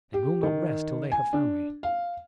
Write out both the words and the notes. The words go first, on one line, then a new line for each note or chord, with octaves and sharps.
They will not rest till they have found me.
G4
D#3
G#5
D4
F5